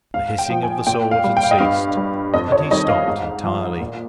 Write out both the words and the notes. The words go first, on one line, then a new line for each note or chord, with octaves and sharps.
The hissing of the sword had ceased, and he stopped entirely.
G#2 F5
G5
F3
G#5
A#2 G5
F5
G3
G5
F5
D#5
G2 F5
G3
F2 D#5
C#5
D#3 G3 D#5
F5
G#2
F3
A#2